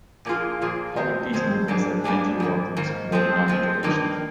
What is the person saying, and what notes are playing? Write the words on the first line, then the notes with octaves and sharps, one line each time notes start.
Public peace movements like the anti-war groups promote non-interventionism.
A#2 F3 A#3 F4 G#4
A#2 F3 A#3 F4 G#4
F2 D#3 G#3 C4
F2 D#3 G#3 C4
G#2 G3 A#3 D4 G#4
G#2 G3 A#3 D4 G#4
G#2 D#3 A#3
G#2 D#3 A#3
F3 G#3 C4
F3 G#3 C4
G2 D#3 A#3 D#4